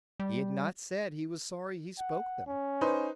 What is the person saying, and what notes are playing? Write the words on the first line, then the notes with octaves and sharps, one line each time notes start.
He had not said he was sorry he spoke them.
G3
F#5
C#4
D#4 B4 C5